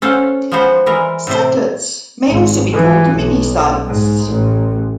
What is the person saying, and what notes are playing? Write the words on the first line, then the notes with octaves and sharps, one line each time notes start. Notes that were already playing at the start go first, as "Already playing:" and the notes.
Sitelets may also be called "minisites".
C#4 A4 C5 F5 F#5
F3 G#3 B3 F#4 C5
E3 G3 G#3 A#4
A2 C3 C5
G#1
E3
B1
G#2
A1